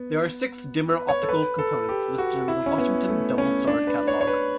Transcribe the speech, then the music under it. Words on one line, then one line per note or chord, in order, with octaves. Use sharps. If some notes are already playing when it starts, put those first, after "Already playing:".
There are six dimmer optical components listed in the Washington Double Star Catalog.
Already playing: B3
B4
C#5
A4
B4
A4
G4
F#4
E4
C#4
B3
A3
C#4
D4
B4
C#5
C#5
B4